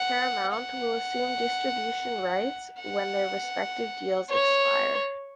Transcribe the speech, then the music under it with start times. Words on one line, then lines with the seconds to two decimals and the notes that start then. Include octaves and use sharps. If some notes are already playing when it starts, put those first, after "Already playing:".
Paramount will assume distribution rights when their respective deals expire.
Already playing: F#5
0.53 F#5
2.80 F#5
4.30 C#5